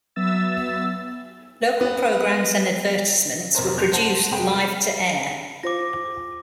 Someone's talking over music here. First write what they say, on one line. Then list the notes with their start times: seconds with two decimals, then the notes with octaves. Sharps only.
Local programs and advertisements were produced live to air.
0.16 F#3 B3 E5 E6 A6
1.81 B3
3.55 F1 A#4 C5
3.77 F#1 G6 F7
3.92 C5 F#5 A5 A#6
4.31 F1 G#3 F#5 G5 B5
5.63 F4 C5 D6 A#6